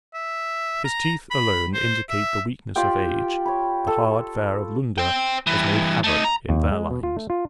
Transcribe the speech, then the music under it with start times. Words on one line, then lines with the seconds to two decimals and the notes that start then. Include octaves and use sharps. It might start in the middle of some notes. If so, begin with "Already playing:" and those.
His teeth alone indicate the weakness of age; the hard fare of Lunda has made havoc in their lines.
0.14 E5
0.84 A#5
1.31 B5
1.74 C5
2.09 E5
2.76 F4 G4 D5 G5
3.46 C#5 B5
3.87 A4
4.98 C5 G5
5.47 G2 E3
6.04 A3 D#4
6.24 A#5
6.49 D#2
6.72 G#3
6.91 B2
7.03 F4
7.17 A3
7.30 F4